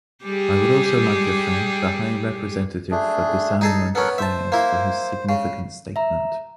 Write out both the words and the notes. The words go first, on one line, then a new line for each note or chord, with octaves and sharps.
I would also like to thank the High Representative for Disarmament Affairs for his significant statement.
G3 G4 G#4
A3 D4 G#4
D#4 G#4 A4
B3 C#4 A4 A#4 F#5
C5 E5 A5
A#3 E4
C#3
E5 A#5